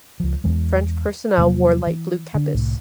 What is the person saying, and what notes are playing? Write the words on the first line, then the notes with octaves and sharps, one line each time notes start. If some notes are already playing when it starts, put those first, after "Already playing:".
French personnel wore light blue kepis.
C#2 F3
E2 E3 G#3
E2 C3 F#3 A#3
E3
D3
C2 A2